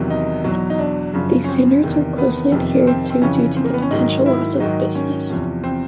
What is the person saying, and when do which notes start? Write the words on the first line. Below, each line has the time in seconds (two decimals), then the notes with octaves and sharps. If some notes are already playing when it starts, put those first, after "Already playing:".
These standards are closely adhered to due to the potential loss of business.
Already playing: E2 C3 D#3 F#3
0.10 D#4
0.44 E2 B2 F#3
0.70 D#4
0.79 D4
1.14 F#2 C#3 F3
1.44 C#4
1.49 C4
1.84 E2 C3 D#3
2.18 B3
2.52 F2 C3 D#3
2.87 C4
3.10 C4
3.22 F2 C#3 E3 C#4
3.57 C4
3.64 A#3
3.74 B3
3.82 C#4
3.91 G#2 D#3 F#3 D#4
4.26 E4
4.60 G#2 D#3 F#3 D#4
4.95 C#4
5.30 E2 C3 F3
5.64 C4